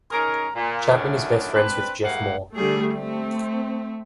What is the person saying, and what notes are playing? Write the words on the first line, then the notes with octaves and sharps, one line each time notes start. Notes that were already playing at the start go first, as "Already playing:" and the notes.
Chapman is best friends with Geoff Moore.
C#4 D#4 G#4 A#4
A#2
D#3 F#3 A3 C#4 D4 E4
C4 D4 B4
G#2 G3 A3 A#3 F5 F#5
D3 G3 A3 G#4
A3 C4